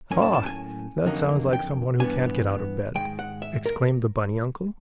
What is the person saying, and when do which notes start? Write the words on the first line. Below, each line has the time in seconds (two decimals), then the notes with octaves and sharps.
"Ha! that sounds like some one who can't get out of bed," exclaimed the bunny uncle.
0.11 A2 F#3 A#3 C#4 G#5
0.22 A5
0.34 A5
0.46 G#5
1.06 F2 D3 F#3 A#3 D#4
1.53 G5
2.00 G2 E3 G#3 B3 D4 G#5
2.95 G#2 D#3 G#3 G5
3.19 F#5
3.42 E5
3.66 A#4